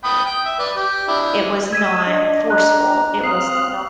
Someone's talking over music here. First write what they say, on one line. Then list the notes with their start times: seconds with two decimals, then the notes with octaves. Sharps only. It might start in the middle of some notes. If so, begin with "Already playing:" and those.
It was not forceful. It was not,
0.04 G5 B5 D#6
0.26 G5
0.46 E5
0.59 B4 D5
0.77 G4
1.08 D4 E4
1.73 D#5 E6 G#6 B6 D#7
2.07 D4 D#5
2.50 D#5 A#5 F#6
3.23 C4 F5 D#6 F#6 C7